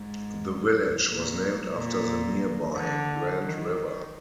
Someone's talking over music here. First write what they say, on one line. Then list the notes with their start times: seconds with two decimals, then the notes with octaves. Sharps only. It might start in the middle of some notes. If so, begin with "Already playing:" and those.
The village was named after the nearby Grand River.
Already playing: G#2
1.10 A#2
1.76 A#2
2.76 D3
3.43 D#3